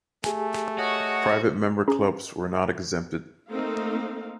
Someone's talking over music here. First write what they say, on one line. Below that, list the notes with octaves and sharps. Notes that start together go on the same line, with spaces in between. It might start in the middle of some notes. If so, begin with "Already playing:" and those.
Private member clubs were not exempted.
A3 G4 G#4 G#5
F#4 C#5 D#5 F#5
C#4 G#4 A#5
A3 A#3 C4 D#4 F5